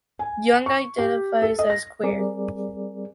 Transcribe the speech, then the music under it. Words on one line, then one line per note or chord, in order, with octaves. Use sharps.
Young identifies as queer.
G#5
C#6
G4
A4
D#5
A#6
G3 C4 G#4 A#4 D5